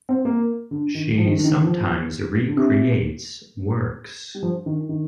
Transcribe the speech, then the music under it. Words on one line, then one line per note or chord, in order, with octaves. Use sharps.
She sometimes re-creates works.
C4
A#3
D3
D#3
F3
D#3
D3
D#3
F3
D3
C3
G3
F3
D#3
D#3